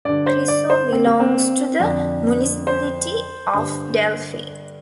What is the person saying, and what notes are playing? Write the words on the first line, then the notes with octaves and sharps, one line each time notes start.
Chrisso belongs to the municipality of Delphi.
G2 D3 D5
C5
D5
C5
C4
A#3
C4
F2 D3 D4
C5
G2 D3